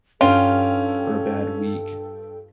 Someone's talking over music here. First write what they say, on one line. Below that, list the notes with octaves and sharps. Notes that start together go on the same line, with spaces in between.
or a bad week,
G2 C#4 F4 A4 G5